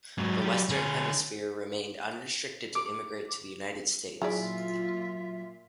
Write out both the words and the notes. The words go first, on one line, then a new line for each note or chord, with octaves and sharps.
The Western Hemisphere remained unrestricted to immigrate to the United States.
G#2 F#3
F#3 G4
D3 G#4
D6
A#2 F#3 E4 F4 G#4 D5 E5